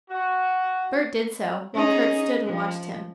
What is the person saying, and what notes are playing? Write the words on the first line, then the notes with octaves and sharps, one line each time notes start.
Bert did so, while Kurt stood and watched him.
F#4
C#4 D#4 G#4
F3